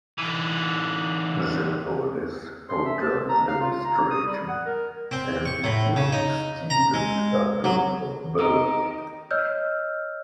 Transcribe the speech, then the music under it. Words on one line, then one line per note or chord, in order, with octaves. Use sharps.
The police put down the demonstration and killed student Adolfo Bello.
D3 E3
C6
E5
A5
A#5
F5
F4
A#5
D#6
G3
F#5
A#4
C4
C#6
A2
C#3
D#4
A#5
G#3
F#3
D#3 D#5
C#5 D#5 E6 F6 G6